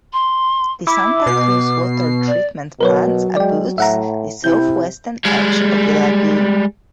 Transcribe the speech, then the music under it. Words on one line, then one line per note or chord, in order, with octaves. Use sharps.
The Santa Cruz Water Treatment Plant abuts the southwestern edge of the lagoon.
C6
E4 D6
B2 C7
D5
B2 F#3 A#4 B4 C#5
G#3 D5 G5
A2 E5 F#5 A#5
C3 E4 G6
G3 G#3